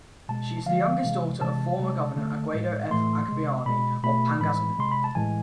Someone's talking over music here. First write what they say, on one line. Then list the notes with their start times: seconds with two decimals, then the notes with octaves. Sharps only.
She is the youngest daughter of Former Governor Aguedo F. Agbayani of Pangasinan.
0.29 B2 G#3 A5
0.66 D3 F3 G#3 F5
1.04 C3 E3 G#3
1.41 C3 E3 G#3 A5
1.79 C3 G#3
2.16 D3 A3
2.54 A2 G#3
2.91 A2 E3 A3 C6
3.28 C3 G#3
3.66 B2 G#3 B5
4.03 B2 A3 B5
4.40 A2 E3 G#3 B5
4.78 C3 G#3 C6
4.92 B5
5.04 A5
5.15 A2 E3 G#3 G#5